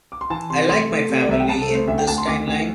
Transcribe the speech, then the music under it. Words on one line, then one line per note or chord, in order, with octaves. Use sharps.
I like my family in this timeline.
D6
C6
E3 A5
C3 C6
A3 C6
A3
C3
D5
C2 E5
G5
C2 A5
A4
A3
C5
D2 E5
G5
D2 A5
C6
D2 D6
D2